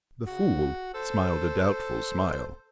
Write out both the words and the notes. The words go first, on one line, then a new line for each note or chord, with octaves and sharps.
The Fool smiled a doubtful smile.
C#3 F#4
A4 C5